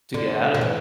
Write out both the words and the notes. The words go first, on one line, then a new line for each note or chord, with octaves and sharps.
To get out of it.
D3
D3
E3